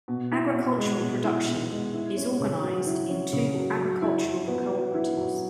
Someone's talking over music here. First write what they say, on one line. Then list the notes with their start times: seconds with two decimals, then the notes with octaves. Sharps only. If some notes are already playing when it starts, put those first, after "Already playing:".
Agricultural production is organised in two agricultural cooperatives.
0.08 B2
0.32 E4
0.54 B2
0.78 G#3
1.01 B2
1.24 E4
1.47 B2
1.70 G#3
1.94 E4
2.17 C#4
2.40 C#3
2.63 F#3
2.87 E4
3.09 C#4
3.32 C#3
3.55 F#3
3.78 F#3
4.02 E4
4.24 F#3
4.48 B3
4.71 F#3
4.94 E4
5.17 F#3